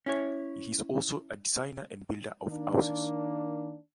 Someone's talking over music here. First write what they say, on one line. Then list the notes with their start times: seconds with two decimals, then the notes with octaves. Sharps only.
He is also a designer and builder of houses.
0.06 C#4 E4 C#5
2.49 D#3 A#3 D4